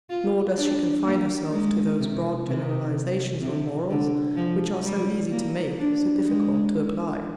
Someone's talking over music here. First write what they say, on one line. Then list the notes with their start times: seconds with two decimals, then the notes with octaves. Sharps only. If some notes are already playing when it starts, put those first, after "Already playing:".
Nor does she confine herself to those broad generalisations on morals, which are so easy to make, so difficult to apply.
0.10 F4
0.57 D4
1.05 A#3
1.52 G#3
1.99 C3
2.47 C3
3.42 C3
3.89 D3
4.36 F3
4.84 G3
5.31 A#3
5.79 D4
6.26 G#3